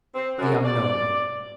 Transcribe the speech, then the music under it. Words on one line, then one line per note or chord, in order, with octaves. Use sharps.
The Unknown.
C4
F#2
D5